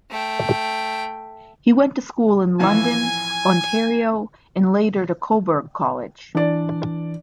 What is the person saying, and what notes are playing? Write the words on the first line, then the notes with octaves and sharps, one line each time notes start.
He went to school in London, Ontario and later to Cobourg College.
A3 G5
A1 F2 E3 G#5
E3 D4 D5